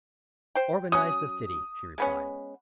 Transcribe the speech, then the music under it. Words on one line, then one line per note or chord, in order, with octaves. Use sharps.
"Organize the city," she replied.
C5 G5
F#3 C#4 D#6
G#3 B3 C#4